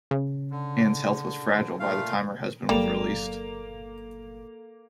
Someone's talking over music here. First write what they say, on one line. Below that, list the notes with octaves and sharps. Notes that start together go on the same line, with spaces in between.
Ann's health was fragile by the time her husband was released.
C#3
D3
A#2 A3 F5
G1 F#3 G3 A#3 A4 F7